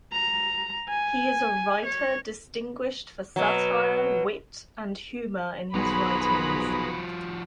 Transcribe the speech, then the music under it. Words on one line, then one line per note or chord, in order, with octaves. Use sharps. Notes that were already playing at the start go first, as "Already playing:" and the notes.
He is a writer distinguished for satire, wit and humour in his writings.
A#5
G#5
C#5
B2 F#3
B1 F3 F#4 G#4 B4 A#5 B5